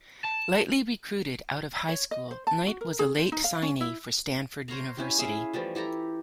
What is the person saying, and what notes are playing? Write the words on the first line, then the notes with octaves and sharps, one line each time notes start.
Lightly recruited out of high school, Knight was a late signee for Stanford University.
A5
C#5
D#5
C5
A5
F#4
A#4
G#4
C5
D#4
F5
C#4
E4
C5 C#5 F5 A#5
C#4 E4 G4
E4 G#4 E5 F5
E3 F3 G3 A3
E4 G4 A4 A#5